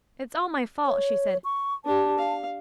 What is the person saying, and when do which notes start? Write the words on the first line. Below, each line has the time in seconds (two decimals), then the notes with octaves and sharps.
'It's all my fault,' she said.
0.86 C#5
1.44 C#6
1.85 D4 G4 A5
2.18 F5